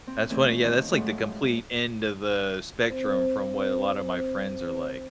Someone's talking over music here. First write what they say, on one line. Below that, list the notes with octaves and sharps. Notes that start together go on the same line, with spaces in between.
That's funny, yeah, that's, like, the complete end of the spectrum from what a lot of my friends are like.
C4
E3 G3 A3 C4 C#4 E4
D#3 F3
A2 F3 F#3 G#3 A3
C4 C5